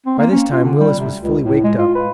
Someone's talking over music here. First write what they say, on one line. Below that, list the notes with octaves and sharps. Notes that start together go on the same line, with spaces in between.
By this time Willis was fully waked up.
C4
A#3
C#4
F4
D3
G3
C3
C#2
A2
G#3
F4
B4